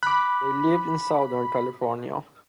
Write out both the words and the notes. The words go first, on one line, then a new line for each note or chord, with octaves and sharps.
They lived in southern California.
B5 D6 F#6